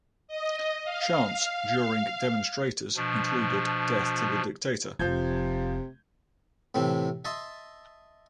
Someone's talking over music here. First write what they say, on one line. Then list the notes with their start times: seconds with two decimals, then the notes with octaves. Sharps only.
Chants during demonstrators included "death to the dictator".
0.28 D#5
0.85 F5
2.96 B2 F3 D4
4.99 F1 C3 F3 G6 G#6
6.75 A2 C3 E3 C4
7.25 D#5 E5 A5 C6